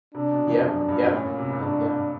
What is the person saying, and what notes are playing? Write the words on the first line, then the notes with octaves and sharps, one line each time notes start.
Yep, yep. I yeah.
C3 D4
B2
F2
F#2 D4
F#2
G2
A2 C#4
A#2
C3
G2
G#2 D4